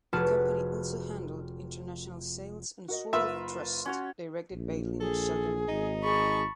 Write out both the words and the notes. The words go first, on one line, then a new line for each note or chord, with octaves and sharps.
The company also handled international sales on "Sword of Trust" directed by Lynn Shelton.
F1 F#4 G#4 B4 A5 F6
F#4 A#4 D#5
F#1 F4 A#4 B4 E5
C#4 F#4 C#5
A#1
G#4 A4
G#1 D#4
G#4 A5 B5 C#6